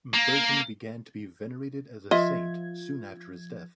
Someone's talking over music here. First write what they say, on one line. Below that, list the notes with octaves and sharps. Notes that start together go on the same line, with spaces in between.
Bertin began to be venerated as a saint soon after his death.
A#3
F3 F4 D#5 E5 G#6